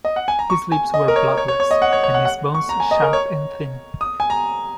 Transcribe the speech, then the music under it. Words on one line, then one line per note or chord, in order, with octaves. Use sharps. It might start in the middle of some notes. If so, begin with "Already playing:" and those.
His lips were bloodless, and his bones sharp and thin.
D#5
F#5
G#5
A#5
C#6
G#5
D#5
A#4
C#5
C#5
C#5
C#5
D#5
F#5
C#5
C#5
F#5
F#5
C#6
A#5
G#5
D#5
A#4
C#5
D#6
G#5
A#5